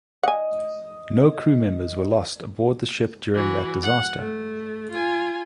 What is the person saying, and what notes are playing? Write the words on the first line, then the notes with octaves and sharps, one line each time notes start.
No crew members were lost aboard the ship during that disaster.
D#5 F#5 G#5
E3 F#4
F#5
A3
F4 G#5